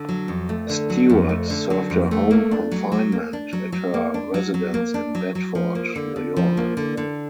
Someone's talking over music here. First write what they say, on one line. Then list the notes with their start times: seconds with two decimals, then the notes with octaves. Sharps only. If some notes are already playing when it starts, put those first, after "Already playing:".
Stewart served her home confinement at her residence in Bedford, New York.
Already playing: D3
0.09 F#3
0.28 F2
0.49 A3
0.69 D3
0.90 F#3
1.10 F2
1.29 A3
1.50 D3
1.70 F#3
1.90 F2
2.11 A3
2.31 A#3
2.51 D4
2.71 F#3
2.92 F#3
3.12 A#3
3.33 D4
3.53 F#3
3.72 F#3
3.94 A#3
4.14 D4
4.34 F#3
4.54 F#3
4.74 A#3
4.94 D4
5.15 F#3
5.35 F#3
5.55 F3
5.75 A#3
5.96 D3
6.16 D3
6.37 F3
6.57 A#3
6.77 D3
6.97 D3